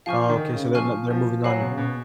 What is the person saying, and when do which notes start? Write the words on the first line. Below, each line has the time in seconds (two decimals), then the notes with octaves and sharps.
Okay, so they're n they're moving on.
0.06 F3 F5 G#5 C#6 F6
0.29 D#3
0.53 C#3
0.75 F3 F5 G#5 C#6 F6
1.10 F3
1.44 F#3 F5 G#5 B5
1.61 B2
1.70 C#3
1.78 B2